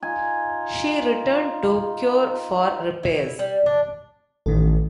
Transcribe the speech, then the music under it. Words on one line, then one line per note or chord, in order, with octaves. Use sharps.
She returned to Kure for repairs.
D#4 F4 G#5
E4
G3
D4
A1 D#3 A4